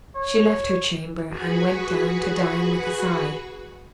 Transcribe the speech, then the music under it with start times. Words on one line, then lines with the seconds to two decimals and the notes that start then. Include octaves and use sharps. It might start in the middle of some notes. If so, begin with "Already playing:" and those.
She left her chamber and went down to dine with a sigh.
0.15 C#5
1.28 F#4 G#4 B4 B5 C#6